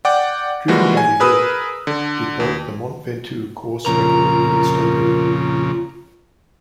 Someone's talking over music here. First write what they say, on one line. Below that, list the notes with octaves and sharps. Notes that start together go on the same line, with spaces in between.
Driven by Divo, it broke the Mont Ventoux course record in its debut.
D5 F#5 G5 D6
E3 F3 G3 G#3 A#3 F#4
G#5
G#4 A#4 B4 B5 D#6 E6
D3
D#2
F2 A#2 C#3 F4 A#4 A#5